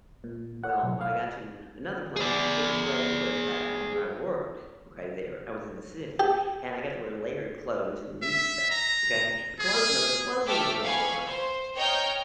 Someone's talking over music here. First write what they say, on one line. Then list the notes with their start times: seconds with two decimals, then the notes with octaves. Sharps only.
Well, when I got to another place, it was great because of the fact I where I worked, okay, there, I was in the city, and I got to wear layered clothes and neat stuff. Okay? The clothes no, the clothing is a lot more fun.
0.24 A#2
0.63 F#5
0.83 B1
1.01 F5
2.16 G#4 D5
6.20 G4
8.22 E5
8.70 A#5
9.59 G#4
10.46 A3 E5 G5 D6 F6
10.81 F5 G#5 B5 C#6
11.26 C5
11.77 C#5 D#5 G5 A#5 F6 G6